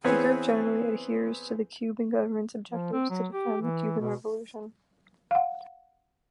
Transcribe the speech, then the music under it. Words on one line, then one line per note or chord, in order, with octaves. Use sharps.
The group generally adheres to the Cuban government's objectives "to defend the Cuban Revolution".
E3 B3 C4 G#4 B4 C#5
F3
C4
F#3
G4
E3
B2
F5 F#5